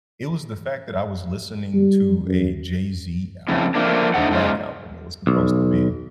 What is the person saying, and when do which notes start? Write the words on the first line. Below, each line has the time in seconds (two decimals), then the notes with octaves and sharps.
it was the fact that I was listening to a Jay-Z album, The Black Album, it was supposed to be
1.74 G3
2.26 F#2
3.48 F2 A2 C#3
3.75 F3 A3 A#3 D4
4.14 A3 D4 D#4 A4 C5 F#5
4.31 G#2 C#3 F4
5.27 B1